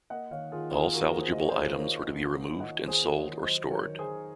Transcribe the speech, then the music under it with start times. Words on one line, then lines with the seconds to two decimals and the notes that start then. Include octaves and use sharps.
All salvageable items were to be removed and sold or stored.
0.10 A#3 D#5 F#5
0.31 D#3 C#5 F5
0.51 D#3 F4 G#4
0.73 A#3 F4 G#4
0.93 D#3 F#4 A#4
1.10 A#3 A#4
1.21 G#4 C5
1.32 D#5
1.36 A#3 C#5
1.49 G#4 C5
1.56 D#3
1.69 C5
1.77 A#3 A#4 C#5
1.98 D#3
2.18 A#3
2.39 A#3
2.60 D#3 D#5 F#5
2.81 D#3
2.87 G#4 C5
3.01 A#3
3.15 A#4 C#5
3.22 D#3
3.43 F#3 C5 D#5
3.64 F#3
3.70 A#4 C#5
3.85 D#3
3.99 G#4 C5
4.05 D#3